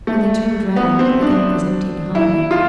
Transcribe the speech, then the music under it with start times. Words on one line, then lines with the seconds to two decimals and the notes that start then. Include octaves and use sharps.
When they turned round The Gap was empty behind them.
0.07 A3
0.76 B3
0.99 C4
1.22 D4
2.15 E4
2.51 F4